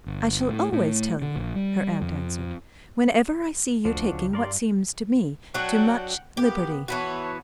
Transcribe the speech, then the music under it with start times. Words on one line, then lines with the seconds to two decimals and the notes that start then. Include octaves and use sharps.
"I shall always tell you," her aunt answered, "whenever I see you taking what seems to me too much liberty."
0.06 G1
0.49 A2
0.72 A2
1.22 D3
1.36 A#1
1.55 G3
2.02 F2
3.85 D2 F3 D4 F#4
4.12 C#2
4.33 G2 A#4 D5 C6
5.54 F#3 D4 F#4 F#5 G5
6.37 A#3 B3 G4
6.88 E3 B3 F#4 C#5 A5